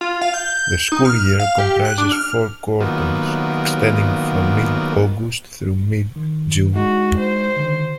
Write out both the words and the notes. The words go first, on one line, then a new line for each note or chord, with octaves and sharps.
The school year comprises four quarters, extending from mid-August through mid-June.
F4
F5
G6
D#4
F6
F5
G4
F#6
D4
F6
D#3 F#3 A#3 B3 F4
D#3
G#3 D#4 E4 F#4
C5
D3 D#3